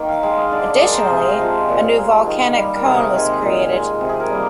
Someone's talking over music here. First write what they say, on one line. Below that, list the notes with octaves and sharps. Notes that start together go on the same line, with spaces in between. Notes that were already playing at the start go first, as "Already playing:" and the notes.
Additionally a new volcanic cone was created.
Already playing: D#3 A#3 G5
F5
G#3 F5
D#5
D3 D5
D5
G#4
G#3 A#4
A#4 C5
C3 D#5
F5
D#5
F3 G#3
A#2
G#3
D#3
G3 A#3
A#4
C3 G#4
D#3 G#3
A#2
G#3
C3
G#4
A#4
G3 A#3